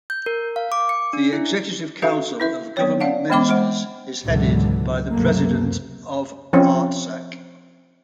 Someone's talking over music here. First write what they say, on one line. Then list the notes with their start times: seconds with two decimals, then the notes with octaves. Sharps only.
The executive council of government ministers is headed by the President of Artsakh.
0.10 G6
0.26 A#4
0.56 F5
0.72 D6
0.89 C#7
1.13 D4
1.33 E4
2.02 D4 F#4 A4 B4 F5
2.40 E4 B4 E5
2.77 F#3 B3 C4 C#5
3.00 D5 F5 F#5 A5
3.30 E3 G#3 B3 D#5 B5 D6
3.49 G#3 C5 F#5
4.24 C#2 G#2 B2 D3 E3 F#3
5.12 C#2 F#2 C3 F#3 A3 A#3
6.53 F3 C4 C#4